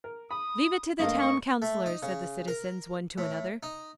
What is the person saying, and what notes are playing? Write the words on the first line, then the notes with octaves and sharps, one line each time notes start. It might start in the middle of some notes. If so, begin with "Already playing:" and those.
'Leave it to the Town Counsellor,' said the citizens one to another.
A#4
B5 D#6
G2 A3 A#3 D#5 F5
D#5 C#6
A3
D#4
C#3
A#4
A2
D#4